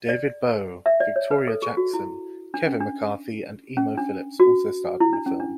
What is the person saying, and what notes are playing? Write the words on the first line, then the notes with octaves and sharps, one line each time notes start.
David Bowe, Victoria Jackson, Kevin McCarthy, and Emo Philips also starred in the film.
D5
E5
D5
C#5
B4
A4
G#4
F#4
E4
D4
C#4
D4
C#4
D4
F#4
E4
D4
C#4
D4